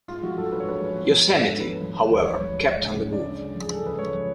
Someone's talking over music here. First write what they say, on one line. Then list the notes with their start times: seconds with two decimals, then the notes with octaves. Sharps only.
"Yosemite", however, kept on the move.
0.08 G#3 F4
0.23 F3 F#4
0.37 F#2 A4
0.52 D4 B4
0.60 C#5
0.66 G#3 B4
0.81 F3
0.96 B3
1.10 F3
1.24 G#2
1.38 D4 A4
1.53 B3
1.60 B4
1.68 F3
1.82 F3
1.97 D3
2.11 D2 B4
2.25 G#3 C#5
2.40 F3
2.54 D3
2.69 G#3
2.83 C#3
2.98 F#2
3.13 D4 D5
3.27 G#3
3.42 C#3
3.56 F3
3.61 G#4
3.71 C#3 A4
3.85 C#2 B4
3.99 C#2 C#5
4.13 F3